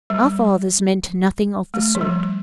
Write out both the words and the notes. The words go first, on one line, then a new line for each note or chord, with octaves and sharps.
Our fathers meant nothing of the sort.
G3
A3
F3
G3